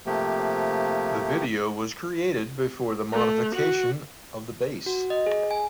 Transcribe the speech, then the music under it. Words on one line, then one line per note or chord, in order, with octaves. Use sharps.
The video was created before the modification of the bass.
C3 F3 A3 A#3 G4
A3
F#4
F#4
D#5
G#4
G#5